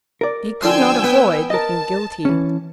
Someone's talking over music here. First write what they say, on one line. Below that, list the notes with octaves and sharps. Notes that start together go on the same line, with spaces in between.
He could not avoid looking guilty.
A#4 D5
D3 F3 G5 G#5 C6 E6
B3 B4
A#4 D#5 A5
E3 C#4